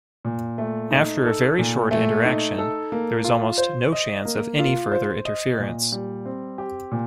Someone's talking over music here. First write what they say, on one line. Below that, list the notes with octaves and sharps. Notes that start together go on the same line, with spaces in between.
After a very short interaction, there is almost no chance of any further interference.
A#2
A3
D#4
A4
A#2
A3
D#4
A4
A#3
F4
C5
D#5
A#3
F4
C5
D#5
A#2
G3
C4
G4
A#2